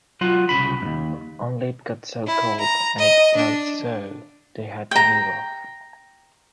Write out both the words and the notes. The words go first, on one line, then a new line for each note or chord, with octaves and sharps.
Only it got so cold, and it snowed so, they had to leave off.
F#3 F4 F#4
C2 G#2 C#3 B5
D#2 G#2
E4
A#5
D#5
D4
G5 A#5